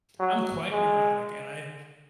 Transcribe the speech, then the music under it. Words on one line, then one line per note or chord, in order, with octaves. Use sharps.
I'm quite neurotic, and I
F#3
G#3